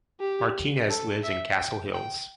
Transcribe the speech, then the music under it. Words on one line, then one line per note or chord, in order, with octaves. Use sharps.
Martinez lives in Castle Hills.
G4
A4
E5
G5
G5